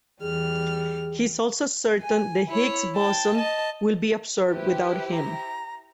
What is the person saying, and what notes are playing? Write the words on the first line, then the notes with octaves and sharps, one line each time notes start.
He is also certain the Higgs boson will be observed without him.
E2 G3 G#4 F6
G#5
E4 C#5
G5 A5
D#5 A5
E4 G4 B4 C5
A#5